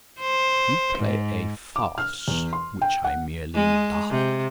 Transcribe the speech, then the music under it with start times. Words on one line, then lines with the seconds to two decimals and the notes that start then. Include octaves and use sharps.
"You play a farce, which I merely laugh at."
0.21 C5
0.99 G#2
1.76 D6
1.98 F6
2.28 E2
2.53 C6
2.82 G5
3.04 F#5
3.55 G#3
4.10 C3